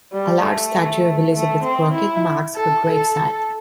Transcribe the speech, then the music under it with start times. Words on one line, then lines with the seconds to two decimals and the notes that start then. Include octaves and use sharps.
A large statue of Elizabeth Crockett marks her grave site.
0.12 G3
0.42 A3
1.33 A3
1.64 C4
1.94 E4
2.55 A4
2.85 A4